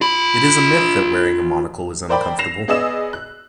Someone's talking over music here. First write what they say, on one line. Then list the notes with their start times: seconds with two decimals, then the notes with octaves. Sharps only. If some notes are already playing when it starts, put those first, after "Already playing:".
It is a myth that wearing a monocle is uncomfortable.
0.01 F4 B5
2.09 A#4 C5 D5 G5 B5
2.39 A#6 C7 E7 F7
2.68 B3 G#4 D5 D#5 E6 E7
3.13 F#6